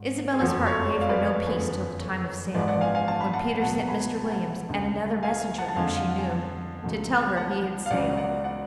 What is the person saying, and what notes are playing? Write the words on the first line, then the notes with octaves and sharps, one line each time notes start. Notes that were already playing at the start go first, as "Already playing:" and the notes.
Isabella's heart gave her no peace till the time of sailing, when Peter sent Mr. Williams and another messenger whom she knew, to tell her he had sailed.
Already playing: G#1 G#2
G#4
F#1 F2 F3 A3 F#4 A4
A4 C#5
D5
F5
B4 D5
A4 C#5
F#1 F2 D3 G#4 B4
A4 C#5
G#1 G#2 F3 G#3 B4 D5
D5 F#5
F5 G#5
F5 G#5
A5
B5
F#5 A5
C#2 B2 F#3 B3 F#5 A5
G#5 B5
A5
G#5
F#5 A5
D2 C#3 G#3
F5 G#5
F#5 A5
A5
F2 D3 G#3 F5 G#5
F5
F#5
G#5
F#5 A5
C#2 C#3 F#3 A3
F#5 A5
F5
C#2 C#3 F#3 D5 F#5
D5 F#5
D5 F#5